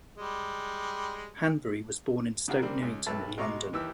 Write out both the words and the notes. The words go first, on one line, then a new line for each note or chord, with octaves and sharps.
Hanbury was born in Stoke Newington in London.
G3 G#3
C#3 G3 D4 F4 F#4 A#4
G3 A#3 C4 D4
C#2
B1 B4 E5 A5
B2 G#3 A#5 C#6 D6
D#2 E3 G4 E6